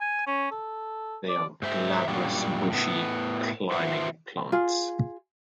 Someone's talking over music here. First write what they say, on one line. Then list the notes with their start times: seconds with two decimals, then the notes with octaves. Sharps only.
They are glabrous bushy climbing plants.
0.01 G#5
0.27 C#4
0.51 A4
1.29 D5
1.62 G#2 C5 E5
2.08 F#2 A#2 G3 D4 F4 F#4
2.70 A2 B3
3.72 F4 B4 C5 E5 F#5
4.52 F4 G#4